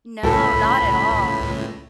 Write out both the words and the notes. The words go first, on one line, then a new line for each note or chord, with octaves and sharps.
No, not at all.
C#2 A2 A4 A#4 B5